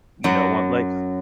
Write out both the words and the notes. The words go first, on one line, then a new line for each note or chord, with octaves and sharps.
You know, what, like
F#2 F#3